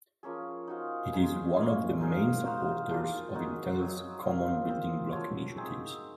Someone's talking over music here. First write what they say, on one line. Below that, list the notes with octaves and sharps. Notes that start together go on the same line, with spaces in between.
It is one of the main supporters of Intel's Common Building Block initiatives.
F3 A#3 C#4 G#4
D#4 F#4 C5 F5
G#3 D#4 G#4 C5
A#3 C#4 F4
D#4 G#4 C5 F5
D#4 F#4 C5 F5
F3 A#3 F4
G#3 D#4 F#4
F#3 C4 F#4
C4 F4 A#4 F5
C4 F4 C5 D#5
F3 C4 F#4 C#5
C4 D#4 G#4